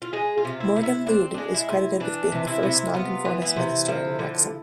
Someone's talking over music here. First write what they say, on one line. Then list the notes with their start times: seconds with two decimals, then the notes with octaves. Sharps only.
Morgan Llwyd is credited with being the first Nonconformist minister in Wrexham.
0.02 F4
0.13 G#3 G#4
0.37 F4
0.45 C3
0.60 E4
0.76 C3
0.83 E4
1.07 C4 D4
1.34 G#3 D4
1.54 E4
1.69 C3
2.00 E3 D4
2.32 C3
2.47 E4
2.63 C3
2.94 B3 F4
3.25 E3
3.42 E4
3.56 C3
3.88 F3
4.19 D3